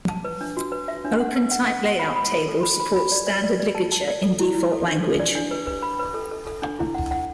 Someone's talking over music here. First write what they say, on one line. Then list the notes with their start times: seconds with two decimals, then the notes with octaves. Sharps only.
OpenType layout table supports standard ligature in default language.
0.09 A5
0.25 B4
0.41 D4
0.57 F#4
0.72 B4
0.88 E5
1.05 D4
1.20 F#5
1.36 B4
1.51 F#5
1.68 F#5
1.84 F#5
1.99 B5
2.16 B5
2.32 A4
2.48 A4
2.63 B5
2.80 B5
2.96 B5
3.12 D5
3.27 D5
3.44 D5
3.60 D5
3.75 A5
3.92 A5
4.08 D5
4.23 A4
4.39 E4
4.55 E4
4.72 A4
4.88 D4
5.03 A4
5.20 D5
5.35 D4
5.51 B4
5.67 B4
5.83 B5
5.99 B4
6.14 A4
6.31 A4
6.47 A4
6.62 D4
6.79 E4
6.95 F#5
7.11 F#5